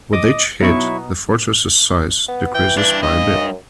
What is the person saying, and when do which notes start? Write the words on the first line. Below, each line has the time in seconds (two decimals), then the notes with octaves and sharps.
With each hit the fortress' size decreases by a bit.
0.13 D#5 D6 D#6
0.60 B2 F#3 B3 D#4 E4 C#6
2.28 B3
2.54 E3 G5
2.77 G2 D4
3.03 D#5
3.33 F#2